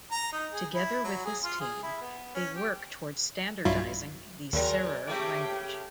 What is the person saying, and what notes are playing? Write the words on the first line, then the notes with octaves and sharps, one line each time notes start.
Together with his team, they work towards standardizing the Serer language.
A#5
D#4
G#4
E4
F#3
G#4
F4
G#4
E4
B3
C#4
G4
B1 G2 F#3 E4 F4
D#2 F#3 G#3 A#4
C#3 A3 G4 G5 D6